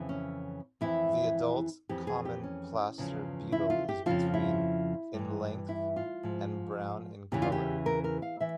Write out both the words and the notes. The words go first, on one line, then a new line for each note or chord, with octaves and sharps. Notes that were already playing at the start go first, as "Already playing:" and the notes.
The adult common plaster beetle is between in length and brown in colour.
Already playing: F2 C#3 E3
C#4
F2 E3 E4
F2 E3 G4
G#4
G4
C#4
E2 C#3 F3
E4
F4
G4
F2 C#3 F3 F4
E4
G2 E3
E4
F4
G#2 F3
E2 C#3 E3 G4
F4
G4
A#4
A#4
F5
E3 E5